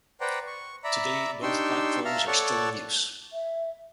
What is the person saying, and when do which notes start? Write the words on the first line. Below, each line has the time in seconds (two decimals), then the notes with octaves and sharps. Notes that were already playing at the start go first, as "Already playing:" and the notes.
Today both platforms are still in use.
0.21 B4 C5 D5 F#5 G5 A#5
0.47 C#6
0.84 D5 E5 A#5 B5
1.42 D4 D#4 G4 C6 C#6 E6
2.05 E5 F5 A5 A#5 F6
2.27 A4 C#5 D5 F#5 A5 C#6
3.33 E5